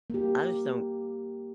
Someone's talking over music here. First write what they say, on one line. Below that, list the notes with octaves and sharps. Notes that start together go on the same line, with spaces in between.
I just don't
A#3 G4